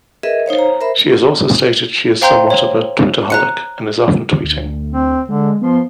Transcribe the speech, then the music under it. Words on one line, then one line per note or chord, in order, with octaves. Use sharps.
She has also stated she is somewhat of a "Twitter-holic" and is often tweeting.
G#4 A#4 B4 D#5 E5
D#4 C5 C#5 F5
A#5
A#4 C5 E5 B5
C5 F5 G5 A#5 C6 G6
C#5
A#5 F#6 C#7
D2
C4
D3 G#3
F3 B3 C6